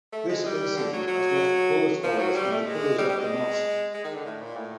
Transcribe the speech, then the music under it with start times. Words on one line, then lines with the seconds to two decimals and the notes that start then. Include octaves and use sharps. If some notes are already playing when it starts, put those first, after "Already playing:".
This incident has left bullet holes in the pillars of the mosque.
0.12 A3
0.29 G#3
0.45 G3
0.77 D3
0.93 F#3
1.08 F#3
2.03 F3
2.19 F#3
2.35 G3
2.52 A3
2.67 G#3
2.98 G3
3.09 G3
3.20 G#3
3.94 G#3
4.04 D#3
4.15 D3
4.25 A2
4.41 A#2
4.57 A2